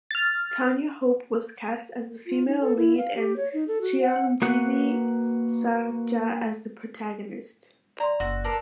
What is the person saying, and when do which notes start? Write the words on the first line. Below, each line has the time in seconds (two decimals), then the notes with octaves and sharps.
Tanya Hope was cast as the female lead and Chiranjeevi Sarja as the protagonist.
0.11 F6 A6
2.27 F4
2.47 D#4
2.61 A4
2.77 E4
2.98 F5
3.16 G4
3.37 C#5
3.54 D#4
3.68 A4
3.81 F#4
4.01 F#5
4.42 A#3 F#4 B4 F#5
8.00 D5 A#5 C6
8.20 F#1 F#4 E6
8.44 D4 A4 A#4